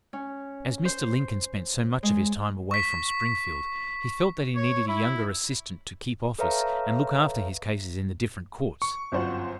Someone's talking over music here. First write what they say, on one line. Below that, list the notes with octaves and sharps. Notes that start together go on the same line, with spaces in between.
As Mr. Lincoln spent so much of his time away from Springfield he felt that he needed a younger assistant to "keep office" and look after his cases in the different courts.
C#4
C5
G#3
C#6 B6
C#5
E4
A4 B4 C#5 E5 F5 A#5
C#6
G1 F#2 C4 F4 C5 F#5